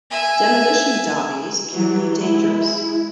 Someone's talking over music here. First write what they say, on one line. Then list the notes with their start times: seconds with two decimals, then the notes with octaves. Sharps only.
Demolition derbies can be dangerous.
0.11 E5 G#5
1.71 E3 F#3 G3
2.17 G#3 E4